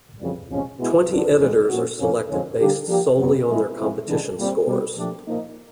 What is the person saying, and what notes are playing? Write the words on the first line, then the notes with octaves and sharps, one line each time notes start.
Twenty editors are selected based solely on their competition scores.
F2 C#3 E3 G3
E2 C3 F3 G#3 C#4
B2 G#3 B3 E4
F2 D3 F#3 B3 D4
E2 B2 G#3
A#2 F3 A#3 C#4 F#4
F2 C3 F3 A#3 C#4
F2 D3 F3 G#3 C#4
D3 G3 A#3 D4 G4
F3 A#3 D4 G4
F#2 D3 F#3 B3
F3 G#3 C4 E4
G#2 F3 G#3 C4 E4
C#3 E3 G#3 B3 D4
A#2 G3 C4
B2 G3 C4
A#2 F3 A3 D4 G4
A#2 F3 A#3 D#4